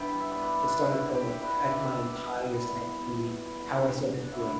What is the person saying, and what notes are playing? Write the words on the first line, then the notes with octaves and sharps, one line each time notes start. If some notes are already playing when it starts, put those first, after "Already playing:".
it started to, like, affect my entire psyche, how I started to, like,
Already playing: G2 E3 B3 E4 G4
E5
B3 D5
B4
B2 D4
E4
B2
G4
D4 B4
D5 E5
B2 E5
D5
G3
B3
B3
B2
D3
D3
D4
D3 E4